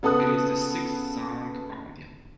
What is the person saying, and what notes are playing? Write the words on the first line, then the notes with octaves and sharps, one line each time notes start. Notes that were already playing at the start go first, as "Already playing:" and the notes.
It is the sixth song on the album.
C#3 B3 A4 D#6 F#6